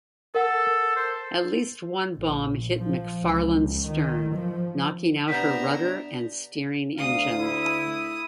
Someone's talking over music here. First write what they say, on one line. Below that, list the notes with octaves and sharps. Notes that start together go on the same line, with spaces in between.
At least one bomb hit "McFarland"s stern, knocking out her rudder and steering engine.
A4 A#4 F#5
C5
A#1
F3
C#2
D#3
F3
C3 B3 D4 A#5 G6 B6
D2 F5 D#6
E4